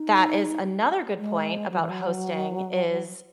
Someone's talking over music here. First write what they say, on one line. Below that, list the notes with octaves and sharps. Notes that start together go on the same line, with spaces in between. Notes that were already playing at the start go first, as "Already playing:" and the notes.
that is another good point about hosting, is
Already playing: D#4
G#3
F#3
E3
F#3